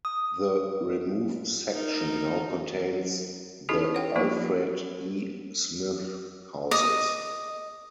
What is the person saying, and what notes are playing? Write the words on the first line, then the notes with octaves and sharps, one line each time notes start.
The removed section now contains the Alfred E. Smith Houses.
D#6
D#4 A#4
C#4 D#4 E4 G4 A4 D#5
C#5 F#5 G5
F3 A#3 B3 D#4 F4
D#5